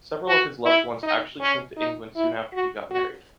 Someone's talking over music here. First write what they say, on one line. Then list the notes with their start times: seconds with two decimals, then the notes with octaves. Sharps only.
Several of his loved ones actually came to England soon after he got married.
0.28 F#4
0.65 E4
1.03 D#4
1.40 C#4
1.77 D#4
2.16 E4
2.53 F#4
2.91 F#4